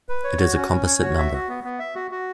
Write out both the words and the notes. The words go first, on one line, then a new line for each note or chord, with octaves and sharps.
It is a composite number.
B4
C#5
F#4
C#4
C#4
C#5
F#4
E5
F#4
B3
B3
E5
F#4
F#4